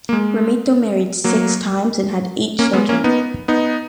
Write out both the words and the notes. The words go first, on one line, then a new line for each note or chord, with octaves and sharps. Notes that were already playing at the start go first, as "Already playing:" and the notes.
Ramito married six times and had eight children.
A#3
G#3
F#3 A#3
A#3 C#4
G#3 B3
A#3 C#4
B3 D#4
B3 D#4